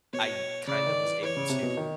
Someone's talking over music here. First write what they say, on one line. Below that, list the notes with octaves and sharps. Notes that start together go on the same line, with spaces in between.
I kinda was able to
B2 C#5
C#3 D5
D#3
E3
E3 C#5
C#3
C3
B2
D#3